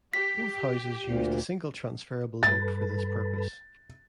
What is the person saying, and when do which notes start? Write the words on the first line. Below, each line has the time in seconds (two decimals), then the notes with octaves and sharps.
Both houses used the single transferable vote for this purpose.
0.14 G4 B6
1.05 D2 A#2
2.43 G2 A4 B4 A6